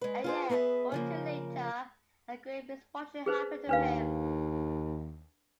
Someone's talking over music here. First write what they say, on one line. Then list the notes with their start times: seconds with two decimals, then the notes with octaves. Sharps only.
A year or two later a great misfortune happened to him.
0.01 G#3 B4
0.24 F4 G#4 C5
0.49 B3 G#4 B4 C#5 E5
0.92 C#3 F3 A#3
3.26 G#4 B4 C5
3.69 D#2 D4 B4 F5